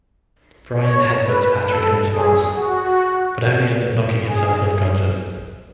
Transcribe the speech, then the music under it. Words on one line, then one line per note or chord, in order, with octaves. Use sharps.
Brian headbutts Patrick in response, but only ends up knocking himself unconscious.
C#5
B4
A4
G#4
F#4
G#4